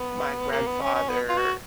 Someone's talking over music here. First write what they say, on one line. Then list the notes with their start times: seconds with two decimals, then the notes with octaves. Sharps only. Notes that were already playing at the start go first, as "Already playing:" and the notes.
my grandfather
Already playing: B3
0.52 A#3
0.66 B3
0.81 C#4
0.95 C#4
1.09 B3
1.29 F4
1.38 F#4